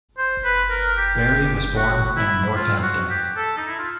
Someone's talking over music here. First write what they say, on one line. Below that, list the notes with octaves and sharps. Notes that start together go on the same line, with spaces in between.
Berry was born in Northampton.
C5
B4
A#4
G4
F#4
E4
F4
F#4
G4
A4
D#4
E4
F4